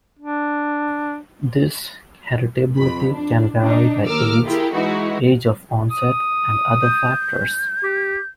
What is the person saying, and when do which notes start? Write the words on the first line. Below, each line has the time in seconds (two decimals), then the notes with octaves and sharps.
This heritability can vary by age, age of onset, and other factors.
0.19 D4
2.76 F2 B5
3.13 D4
3.61 D4 D#4
4.06 D#2 A#4 D6 E6 F6
4.44 E4 F4 G4 G#4 A#4
4.74 E3 G#3 D#4 E4 F#4
5.90 D#6
6.82 G6
7.83 G4